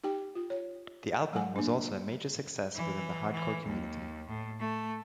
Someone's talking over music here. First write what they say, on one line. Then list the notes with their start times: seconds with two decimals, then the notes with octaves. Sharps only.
The album was also a major success within the hardcore community.
0.04 D#4 G4 G5
0.35 F4
0.50 C#5
1.33 F#3 F#5 G#5
1.56 A#3 D4
2.76 E3
3.31 E3
3.66 D#2
4.28 A2
4.59 A3